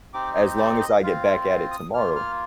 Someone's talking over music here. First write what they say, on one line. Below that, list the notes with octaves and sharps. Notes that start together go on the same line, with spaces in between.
as long as I get back at it tomorrow."
C4 D#4 G4 D6
D#5
D5
D#5
C4 F4 F5
C6
D#6
A#3 F4 F6
F6